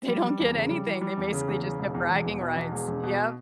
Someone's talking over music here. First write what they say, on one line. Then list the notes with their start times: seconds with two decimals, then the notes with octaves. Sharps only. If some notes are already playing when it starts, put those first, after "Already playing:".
They don't get anything, they basically just get bragging rights, yep.
0.08 G3
0.24 G3
0.40 E2
0.55 C#3
0.71 G3
0.86 E3
1.01 G3
1.17 E2
1.33 C#3
1.48 E2
1.64 C#3
1.79 E1
1.94 E2
2.10 E1
2.26 E2
2.41 B2
2.57 E2
2.72 E1
2.88 E1
3.03 B2